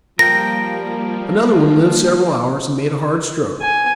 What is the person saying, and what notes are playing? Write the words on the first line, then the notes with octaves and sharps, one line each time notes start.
Another one lived several hours, and made a hard struggle.
F3 G3 A#3 A#4 G5 A#6
G#5